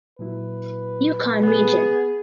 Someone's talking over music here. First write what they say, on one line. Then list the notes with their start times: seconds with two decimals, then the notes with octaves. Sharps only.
Yukon region.
0.19 A#2 F#3 E4 B4
1.43 B3 G#4